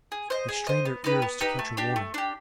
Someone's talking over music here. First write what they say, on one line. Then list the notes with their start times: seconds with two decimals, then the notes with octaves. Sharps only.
They strained their ears to catch a warning.
0.12 G#4
0.30 C5 D#5
0.49 G#4
0.67 C5 D#5
0.85 B3
1.04 D#4 G4 B4
1.22 B3
1.41 D#4 G4 B4
1.59 A3
1.77 D4 G4
1.96 A3
2.14 D4 G4